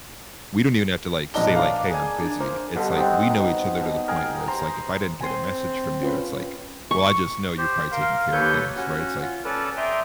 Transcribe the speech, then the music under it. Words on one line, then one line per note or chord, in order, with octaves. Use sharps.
We don't even have to, like, say, like, "Hey, I'm busy." It's ,like, we know each other to the point where it's, like, if I didn't get a message from you, it's, like, well, I just know you're probably taking care of things, right? It's, like,
A#1 B3 D4 D#4 D#5 G7
A#3 D5 F5 D6
G#4 G#5
D4
A#3 C5
G2 B2 D3
C4 D#4 F#5
B2
B2
G#4 A#4 G5
C5 A#5
C4 G#5 C6
C#4 F4 B4
C#6
G4 C5
A#4 F5 C6
D#2 A4 B4 C#5 G6
C#4 F#4
F4
C#4 A4 B4 D5 A5
D5 E5 G5 A#5 C6 D#6